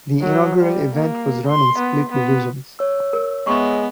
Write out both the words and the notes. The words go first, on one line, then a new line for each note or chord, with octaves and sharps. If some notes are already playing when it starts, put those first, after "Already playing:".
The inaugural event was run in split divisions.
F#3
G3
A#3
C6
B3
B3
C#5 E6
A#4
G#3 B3 E5 C6 C#6